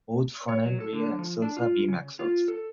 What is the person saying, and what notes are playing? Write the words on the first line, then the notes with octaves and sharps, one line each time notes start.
Both front and rear axles are beam axles.
C#5
F#3
A4
D3
F3
D4
F4
C#3
F4
A4